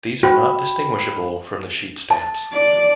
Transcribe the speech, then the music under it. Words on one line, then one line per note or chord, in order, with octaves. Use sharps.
These are not distinguishable from the sheet stamps.
F#4 G5 B5
A5
D5